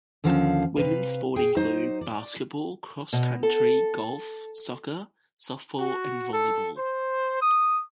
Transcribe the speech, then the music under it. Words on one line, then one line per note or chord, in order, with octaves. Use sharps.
Women's sports include basketball, cross country, golf, soccer, softball and volleyball.
D#2 D3 F3 C#4 F5 A5
C3 D#3 B4 F5
G#4 G5
F#3 D#4 C5
D5
B2
A4
F#4
A4
C5
D#6